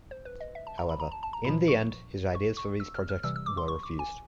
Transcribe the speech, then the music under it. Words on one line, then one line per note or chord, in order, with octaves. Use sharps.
However, in the end his ideas for these projects were refused.
C5
B4
D#5
E5
A5
A#5
B5
A#5
A5
A5
A#5
A#2 F3 B5
C#6
C#6
C#6
E6
F6
F6
C3 E3 G3 E6
E6
D6
C6
C#6
D6
G#5